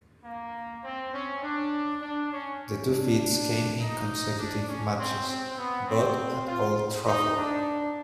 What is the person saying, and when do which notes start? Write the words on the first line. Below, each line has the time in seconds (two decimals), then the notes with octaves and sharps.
The two feats came in consecutive matches, both at Old Trafford.
0.24 A#3
0.84 C4
1.13 C#4
1.43 D4
2.02 D4
2.32 C#4
2.91 D4
3.80 D#4
4.39 D4
4.69 C#4
4.99 C4
5.29 C4
5.58 B3
5.88 C4
6.47 F4
7.06 D#4
7.36 D4